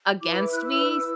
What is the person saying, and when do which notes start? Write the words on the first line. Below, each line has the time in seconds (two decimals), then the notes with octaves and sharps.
against me s
0.21 E4 B4 D6
0.36 D6
0.51 F#6
0.65 E6